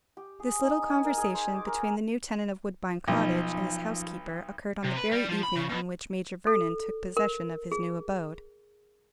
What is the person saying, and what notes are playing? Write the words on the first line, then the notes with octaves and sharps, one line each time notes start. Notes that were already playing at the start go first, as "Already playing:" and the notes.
This little conversation between the new tenant of Woodbine Cottage and his housekeeper occurred on the very evening on which Major Vernon took possession of his new abode.
G4
G#4
D#4
G#5
A#4
G#4
C5
D6
A#4
B1 F3 D#4
C3
B4
G3
F3
B5
C#3
B2
A4
A#4
G#4